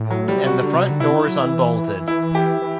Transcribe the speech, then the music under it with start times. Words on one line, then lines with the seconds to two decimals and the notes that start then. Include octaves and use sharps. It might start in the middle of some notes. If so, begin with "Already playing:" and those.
And the front door's unbolted.
Already playing: A2
0.10 F#3
0.28 G3
0.36 C3
0.46 B2 F#4
0.61 D3
0.73 C3
0.90 D3
1.00 C3 E4
1.14 D3
1.27 F#3
1.41 E3
2.08 E4
2.35 G4
2.62 E3